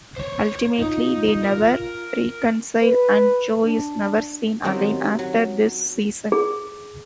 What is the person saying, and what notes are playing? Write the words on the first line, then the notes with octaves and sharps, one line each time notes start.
Ultimately, they never reconcile and Joe is never seen again after this season.
C5 C#5
D#4 F4
A#4
B4
D4
D#3 F#3 C4 C#4 F4 G4
F#3
G#4